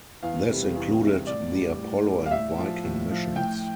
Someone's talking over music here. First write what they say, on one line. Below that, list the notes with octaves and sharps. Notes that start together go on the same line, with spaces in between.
This included the Apollo and Viking missions.
E2 F5
C3 G3
E2
C3 G3
A2 D5
G3
A2
G3
F5
A2 E5
F3
A2
F3
A2 G5